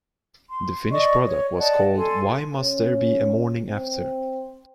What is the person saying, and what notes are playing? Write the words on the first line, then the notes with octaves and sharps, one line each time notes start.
The finished product was called Why Must There Be a Morning After?
C6
D5 D#5 C#6
C#5
D5 D#5 F#5 A5
A4 G#5 C6
C#4
C4